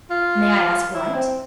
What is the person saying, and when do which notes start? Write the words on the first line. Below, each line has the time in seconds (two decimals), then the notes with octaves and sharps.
"May I ask what?"
0.10 F4
0.94 E4
1.14 C4